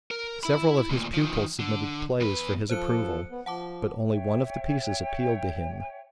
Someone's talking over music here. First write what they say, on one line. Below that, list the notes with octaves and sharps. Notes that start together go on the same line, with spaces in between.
Several of his pupils submitted plays for his approval, but only one of the pieces appealed to him.
A#4
E4 B5
D2 A#2
D#3 F3
D3
E2 B4
F3 A4 C5 F#6 C#7
B3
F3 F#5 A5 D6
C#5 E5 G5